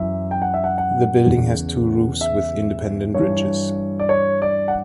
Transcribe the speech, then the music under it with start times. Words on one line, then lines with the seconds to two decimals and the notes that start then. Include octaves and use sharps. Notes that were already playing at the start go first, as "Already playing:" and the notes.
The building has two roofs with independent ridges.
Already playing: F#2 E3 E5
0.31 G5
0.42 F#5
0.54 E5
0.64 F#5
0.78 F#5
1.26 E2 C#3 E3
2.21 E5
3.14 G2 E3 C#5
4.00 D5
4.09 C#5
4.42 D5
4.68 F#5